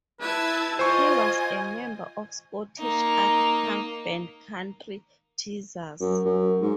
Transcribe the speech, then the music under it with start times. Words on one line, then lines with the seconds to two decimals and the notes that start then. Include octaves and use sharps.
He was a member of Scottish art punk band Country Teasers.
0.20 E4 B4 A5 G#6
0.79 F4 C5 D#5 G#5 C#6
2.79 A#3 D#4
6.00 F#2
6.25 F#2
6.62 G#2